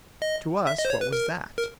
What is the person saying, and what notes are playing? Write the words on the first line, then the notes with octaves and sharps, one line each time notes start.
To us what was that?
D#5
E5
D#5
C5
C#5
B4
A#4
A#4